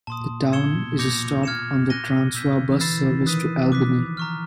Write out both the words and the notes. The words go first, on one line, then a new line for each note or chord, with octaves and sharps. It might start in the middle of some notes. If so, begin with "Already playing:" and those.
The town is a stop on the Transwa bus service to Albany.
A#2 A5 C6 D#6
A#2
A#2 E6 G#6 C#7 E7 G7
B2
A#2 D6 G6 A#6 C#7 F7
F6 G#6 C#7 E7
F#6 A#6 D#7 G7
B2 E6 G6 B6
C#3
D3
E3
E3 B5 E6 A6 C7 E7
D#3
E3 D#6 F#6 B6 D#7
F3 D6 F#6 B6
E3 A#5 C#6 F6